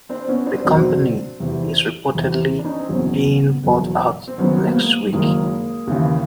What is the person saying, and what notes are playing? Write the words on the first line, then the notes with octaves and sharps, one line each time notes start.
The company is reportedly being bought out next week.
C4 D4
B3 C#4
C4 D4
E2 B2 F#3 C4 D4
E2 C3 E3
E2 C3 E3
D4
C#4 D#4
C4
F#1 E2 B2 B3 C#4
F#1 E2 B2
C4
F#1 F#2 D#3 B3 C#4
A#3 C4
B3
G#3 A#3
F#1 F#2 D#3 G#3 A#3
D#2 C#3 E3